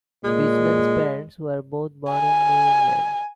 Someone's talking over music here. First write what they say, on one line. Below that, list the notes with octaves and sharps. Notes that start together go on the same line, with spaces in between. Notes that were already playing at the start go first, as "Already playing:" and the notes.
Bridgman's parents were both born in New England.
A#2 G#3
G#5